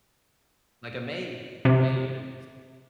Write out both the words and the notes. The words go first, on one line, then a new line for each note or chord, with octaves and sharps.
Like a maid a maid, uh, that's, um
C3